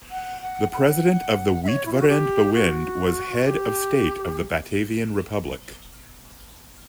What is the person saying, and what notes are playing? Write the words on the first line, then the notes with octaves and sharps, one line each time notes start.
The president of the Uitvoerend Bewind was head of state of the Batavian Republic.
F#5
F#5
F#5
E5
C#5
E4
F4
F#4
G4
F#4
G4